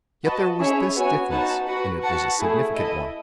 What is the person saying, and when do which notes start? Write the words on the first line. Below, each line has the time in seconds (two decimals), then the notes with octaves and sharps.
Yet there was this difference, and it was a significant one.
0.24 F#4 B4 D#5 A5
0.60 C#4 E4 G#4 C#5 E5
0.95 B3 F#4 C#5 G#5
1.31 D#4 F#4 B4 F#5 A5
1.67 F#4 B4 F#5
2.02 F#4 B4 F#5 A5
2.39 A3 E4 G#4
2.75 E4 A4 D#5